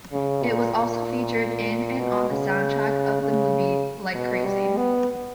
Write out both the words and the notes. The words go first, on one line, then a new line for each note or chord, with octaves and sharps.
It was also featured in and on the soundtrack of the movie "Like Crazy".
C#3
A#2
A#2
B2
C#3
C#3
B2
G3
B3